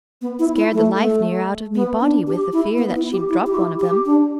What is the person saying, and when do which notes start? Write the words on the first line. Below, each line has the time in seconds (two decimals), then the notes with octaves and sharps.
Scared the life near out of me body with the fear that she'd drop one of them.
0.22 B3
0.39 E4
0.56 E4
0.73 A3
0.98 A3
1.75 B3
2.01 D4
2.27 G4
2.53 E4
2.77 B3
2.96 E4
3.12 G4
3.30 E4
3.47 G4
3.55 E4
3.80 G4
4.06 D4